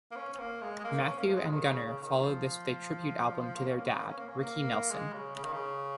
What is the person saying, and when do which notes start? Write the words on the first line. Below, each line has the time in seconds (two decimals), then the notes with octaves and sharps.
Matthew and Gunnar followed this with a tribute album to their dad, Ricky Nelson.
0.11 A#3
0.16 C#4
0.33 C#4
0.39 A#3
0.62 G#3
0.79 G#3
0.84 A#3
1.01 C#4
1.18 A#3
1.28 F3
1.35 G#3
1.47 F3
1.51 D#3
1.68 C#3
1.85 C#3
2.03 D#3
2.20 F3
3.55 A#3
3.65 C#4
3.76 A#3
3.86 C#4
3.97 A#3
4.07 C#4
4.18 A#3
4.28 C#4
4.38 A#3
4.90 G#3
5.13 C#3
5.35 C#3
5.44 D#3
5.53 C#3